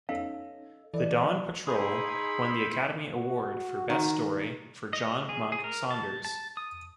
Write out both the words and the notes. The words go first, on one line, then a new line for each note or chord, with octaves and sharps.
"The Dawn Patrol" won the Academy Award for Best Story for John Monk Saunders.
B3 C#4 D#4 A4 D#5 F5
E3 A4 D5 D#5
D#4 E4 G#4 C5 B5
F#4
D#3
D#5
G#4
G#4
A#4
A5
A5
D#6